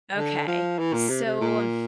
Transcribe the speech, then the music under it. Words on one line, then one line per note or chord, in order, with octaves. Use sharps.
Okay. So, um
D3
F3
E3
A#2
C3
C3
A#2